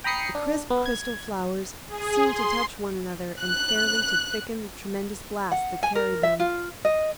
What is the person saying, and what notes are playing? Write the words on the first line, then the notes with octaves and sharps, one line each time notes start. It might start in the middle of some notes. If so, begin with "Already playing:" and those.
The crisp crystal flowers seemed to touch one another and fairly to thicken the tremendous blast that carried them.
G5 A#5 B5 D#6 C7 C#7
D4
B3
G#6
G#4
C6
F#6
F#5
G#5
A#4
E5
F4
D#5